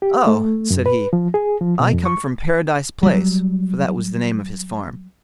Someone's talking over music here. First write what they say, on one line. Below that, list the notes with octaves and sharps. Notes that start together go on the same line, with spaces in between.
'Oh!' said he, 'I come from Paradise Place', for that was the name of his farm.
G4
A3
F#2
B4
F3
G#4
F3
B2
F2
C#6
F#3 G3